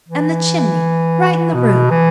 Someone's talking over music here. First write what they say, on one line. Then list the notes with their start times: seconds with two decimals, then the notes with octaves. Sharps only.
And the chimney right in the room!
0.08 E3
1.54 B2
1.90 E3